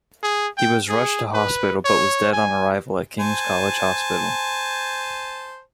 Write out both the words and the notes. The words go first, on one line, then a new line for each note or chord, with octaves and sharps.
He was rushed to hospital but was dead on arrival at King's College Hospital.
G#4
G5
G#4
B4
C#5
G#5
C5 G#5 A5